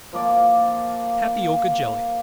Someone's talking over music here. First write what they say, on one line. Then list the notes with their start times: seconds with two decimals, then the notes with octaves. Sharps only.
Tapioca Jelly.
0.13 F3 A#3 D5